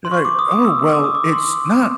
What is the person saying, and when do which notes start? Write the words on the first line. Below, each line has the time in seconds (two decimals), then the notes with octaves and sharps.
They're like, "Oh, well, it's not
0.05 C6
0.11 C#6
0.25 D6
0.39 D#6
0.51 D#6
0.65 E6
0.79 D#6
0.93 D6
1.04 D#6
1.15 D6
1.33 C6